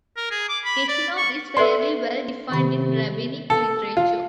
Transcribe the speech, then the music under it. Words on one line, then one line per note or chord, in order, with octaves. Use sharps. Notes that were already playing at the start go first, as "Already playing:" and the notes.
"Gehinom" is fairly well defined in rabbinic literature.
A#4
G#4
D6
B5
D5
C#6
A4 B4 D5 E5 C6
C3 D#3 B5
A4
F4